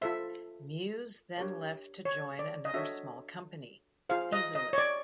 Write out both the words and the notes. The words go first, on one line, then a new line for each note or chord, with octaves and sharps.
Mewes then left to join another small company, Fieseler.
F4 A4 C5 E5
D4 G4 A#4 C#5
C#5
D5
D#5
D4 F#4 A4 C#5 E5
F4 G#4 C5 F5
D#5
D#5
C#5
D5